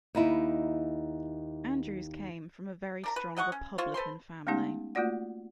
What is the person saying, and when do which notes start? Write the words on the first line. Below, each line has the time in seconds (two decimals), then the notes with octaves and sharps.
Andrews came from a very strong republican family.
0.15 D#2 D#4 E4
3.04 D4 A#4 A#5
3.16 B4
3.37 F#3 D#5 F#5 C#6
3.52 C#4
3.78 F4 C5 C#5
3.94 A4 B4 C5 C6
4.47 G#3 A3 B3 C#4 D#4 G4
4.95 A3 A#3 F4 F#4 D5 F#5